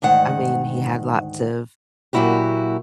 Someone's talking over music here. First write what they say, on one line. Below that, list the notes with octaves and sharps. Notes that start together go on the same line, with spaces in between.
I mean, he had lots of
D2 G#2 D#3 F#5
A#2 F#3 A#3 E4 F#4 G4